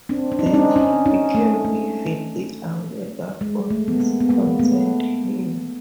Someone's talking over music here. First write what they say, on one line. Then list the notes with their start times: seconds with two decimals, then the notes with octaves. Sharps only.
Then he became vividly aware that all this concerned him.
0.09 C4 D4
0.32 D4
0.39 D#4
0.46 C4 D4
0.54 C#4 D#4
0.76 C#4 D#4
1.06 C#4 D#4
1.35 A3
1.65 A3
3.41 G#3
3.70 A3
3.88 B3
4.00 G#3 A#3
4.20 B3
4.30 G#3 A#3
4.59 A3 B3